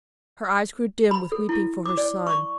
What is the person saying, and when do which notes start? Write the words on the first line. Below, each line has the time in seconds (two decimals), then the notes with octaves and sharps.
Her eyes grew dim with weeping for her son.
1.11 B5
1.32 A4
1.49 E4
1.86 D6
1.97 D5
2.27 C#6